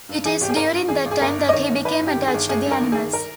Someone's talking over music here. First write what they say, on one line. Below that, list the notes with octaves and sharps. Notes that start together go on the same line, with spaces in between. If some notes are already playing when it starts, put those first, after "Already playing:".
It is during that time that he became attached to animals.
G2
E3 G#4
G#1 G4
G#4
G#1 A#4
G2
E3 G#4
G#1
G#4
G1 A#4
G2
D#5
D#3 C#5
G1
G1 B4
G2 G4
D#3
G#4
G1
G1 G#4
G2
A#4
D#3
G#4
G1
A#4